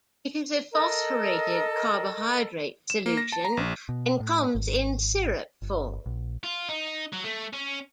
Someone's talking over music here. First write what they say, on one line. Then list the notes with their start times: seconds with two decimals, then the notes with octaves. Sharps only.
It is a phosphorated carbohydrate solution, and comes in syrup form.
0.72 A4 A#4 D#5
2.90 E7
3.06 A#3
3.17 A#6
3.32 A5
3.45 A#5
3.57 A#1
3.89 B2
4.20 A2
4.55 G#1
5.62 G1
6.06 A#1
6.43 F4
6.69 D#4
7.13 F#3
7.24 A3
7.53 C#4